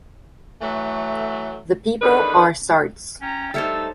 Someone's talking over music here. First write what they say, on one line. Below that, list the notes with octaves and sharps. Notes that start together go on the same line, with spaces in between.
The people are Sarts.
E3 F#3 A3
E2 D3 D#3 B4
C#4 G5 A#5
G3 A3 D#4 C5 C#5 E5 E6 A6